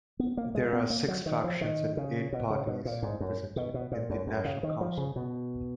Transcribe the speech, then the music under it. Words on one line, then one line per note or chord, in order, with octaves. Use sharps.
There are six factions and eight parties represented in the National Council.
B3
A#3
G#3
B3
A#3
F#3
D#3
F3
D#3
C#3
B2
C#3
B2
A#2
G#2
F#2
B2
B2
A#2
F#2
F#2
C#3
D#3
F3
C#3
B2